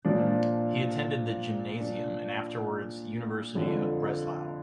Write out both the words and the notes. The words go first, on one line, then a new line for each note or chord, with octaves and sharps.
He attended the "gymnasium", and afterwards the University of Breslau.
A#2 F3 D4
D4
F2 D3 F3